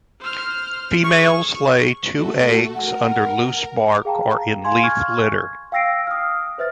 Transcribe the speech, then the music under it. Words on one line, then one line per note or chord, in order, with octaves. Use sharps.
Females lay two eggs under loose bark or in leaf litter.
C5 F6
G#4 C#6
A3 F#4 A4
A#4 F#5
G#4 F5 G5 A5 A#5
F5 G#5 C6 G#6
C#6 F6 G#6
F5 G5 E6 A#6 C7 D7
D#6 F6
B4 C5 E5 F6 A6